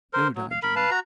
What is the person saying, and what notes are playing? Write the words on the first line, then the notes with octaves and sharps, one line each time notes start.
No die Jimmy.
A#4 C5
F#3
F5
A#4 B5
B4 F5 A5
F#4 A#5